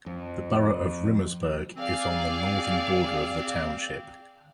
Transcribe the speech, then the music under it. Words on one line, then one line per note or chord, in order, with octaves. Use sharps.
The borough of Rimersburg is on the northern border of the township.
F2
C4 G#4 D5 F5